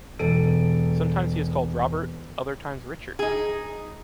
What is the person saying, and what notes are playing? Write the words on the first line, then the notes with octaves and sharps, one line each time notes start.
Sometimes he is called Robert, other times Richard.
E1 A4 D7
D#4 G#4